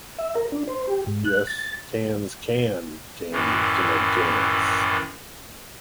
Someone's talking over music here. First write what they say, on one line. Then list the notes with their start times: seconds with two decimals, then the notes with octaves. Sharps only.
Yes, cans can can canned cans.
0.19 E5
0.35 A#4
0.52 D4
0.67 C5
0.87 G4
1.07 G#2
1.25 F#6
1.47 A6
3.32 F#2 A2 D#3 E3